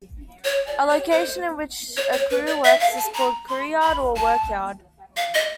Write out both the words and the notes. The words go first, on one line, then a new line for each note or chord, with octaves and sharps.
A location in which a crew works is called a crewyard or a workyard.
C#5
D5
C#5
C5
C#5
C#5
B4
D5
E5
F5
A5
A#5
C6
B5
A5
F5
D#5